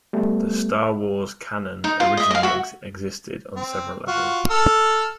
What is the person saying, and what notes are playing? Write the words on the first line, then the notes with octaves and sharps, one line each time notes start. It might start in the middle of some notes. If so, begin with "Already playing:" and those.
The "Star Wars" canon originally existed on several levels.
G3 A3 B3
D#4
F4
D#5 E5
D#5 F5
F#4 E5
C4
F4 F#4
A4 E6 F6